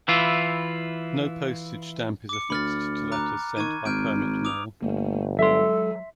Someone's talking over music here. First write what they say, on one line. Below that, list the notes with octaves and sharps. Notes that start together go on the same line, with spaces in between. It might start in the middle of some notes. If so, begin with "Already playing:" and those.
No postage stamp is affixed to letters sent by permit mail.
E3 E4 F4
D6 C#7
D2 B5 F6 A6
A#5 D6 F#6
D#3 C#6 G#6 D#7
G#1 F6 G6 D7
D6 D#6 F7
G1 A3 A#3
F#3 G#3 A4 E5 C6